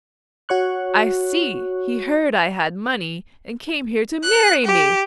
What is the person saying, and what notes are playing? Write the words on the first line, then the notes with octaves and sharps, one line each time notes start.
"I see: he heard I had money, and came here to marry me!"
F#4 C#5 C#6 F#6
F#6
G4